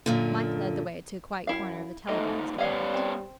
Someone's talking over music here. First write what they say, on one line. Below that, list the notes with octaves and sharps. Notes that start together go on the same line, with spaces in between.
Mike led the way to a quiet corner of the Telegrams Department.
F#2 A#2 D3
F#2 E4 F5
G#2 B2 A3 D#4 D#5
G3 B3 C#4 D5 F5 F#5
C4